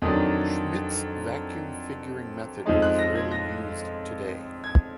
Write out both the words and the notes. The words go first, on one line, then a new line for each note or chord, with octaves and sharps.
Schmidt's vacuum figuring method is rarely used today.
F2 D#3 F#3 D4 D#6
F2 F3 G#3 D#4
F#6
A#6
G#6
A#6
G#6